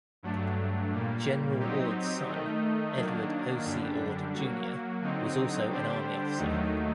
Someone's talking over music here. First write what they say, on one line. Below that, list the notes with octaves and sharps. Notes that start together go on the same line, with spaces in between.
General Ord's son, Edward O. C. Ord, Junior was also an Army officer.
G2 F#3 A3 D4
A#2 G3 A#3
F#3 C4 D#4 G4
D#3 A3 D#4
D#3 F#3 A#3 D4
F#2 D3 G3 D4
F#3 A#3 F#4
D3 F#3 C4 D#4
D3 G3 D4 G4 C5
D#2 D#3 F#3 A3 D#4